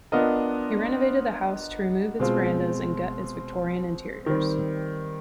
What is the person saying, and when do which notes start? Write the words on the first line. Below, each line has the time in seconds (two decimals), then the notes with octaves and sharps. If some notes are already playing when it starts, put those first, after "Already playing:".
He renovated the house to remove its verandas and gut its Victorian interiors.
0.12 B3 D4 F4 A#4 D#5
2.20 B2 G#3 C4 F4
4.26 D#3 G3 C4